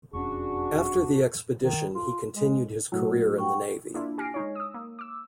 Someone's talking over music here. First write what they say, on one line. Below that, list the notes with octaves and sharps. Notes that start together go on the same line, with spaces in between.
After the expedition he continued his career in the navy.
E1 F2 C#4 D4 F#4 G#4 C#6
D#3
F4
G#3
A2 F#3
F#5 G5 C#6
A#3 D4 E4 F4
G4 G#5 F6 A#6 C7 D7
G#3 D#4 C#5
D#6 E6
A#3
D6 E6